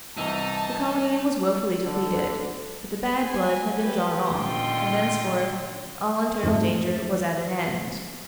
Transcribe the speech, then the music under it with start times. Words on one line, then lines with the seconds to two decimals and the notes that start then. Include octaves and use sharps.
The colony was wofully depleted; but the bad blood had been drawn off, and thenceforth all internal danger was at an end.
0.17 C2 E3 D#4 A5
1.86 D3
3.18 G#5
3.79 G4 B4
4.31 A#2 D3 D#3 C#4 F4 G5
6.44 F2 G#2 A3